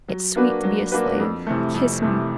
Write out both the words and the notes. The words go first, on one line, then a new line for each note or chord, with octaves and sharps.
It's sweet to be a slave. Kiss me!
F#3
A#3 D4 F#4 B4
F#3
A#3 D4 F#4 B4
F2
C3 E3 A3
F2
C3 E3 A3